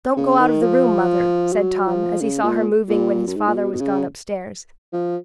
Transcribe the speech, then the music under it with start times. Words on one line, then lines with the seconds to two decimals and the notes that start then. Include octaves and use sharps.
"Don't go out of the room, mother," said Tom, as he saw her moving when his father was gone upstairs.
0.16 C#3
0.39 D#3
0.62 F3
1.53 F#3
1.87 F3
2.20 C#3
2.43 A#2
2.89 A#2
3.27 F#2
3.36 G#2
3.47 A#2
3.56 B2
3.73 B2
3.80 C#3
4.93 F3